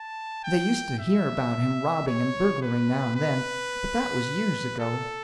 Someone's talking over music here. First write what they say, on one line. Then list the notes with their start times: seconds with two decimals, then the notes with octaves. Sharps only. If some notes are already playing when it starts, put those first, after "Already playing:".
They used to hear about him robbing and burglaring now and then, but that was years ago.
Already playing: A5
0.44 G5
0.99 E5
2.07 C#5
2.62 B4
3.16 B4
4.79 A4